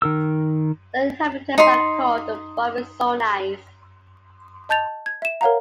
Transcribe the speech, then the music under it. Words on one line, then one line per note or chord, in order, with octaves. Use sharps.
The inhabitants are called "Barbizonais".
D#3 A#4 E6
D#4 C6
D#5 A5 G6 A6 F7
G#6
E5 E7
A#4 C#5 F5 F#5 A#5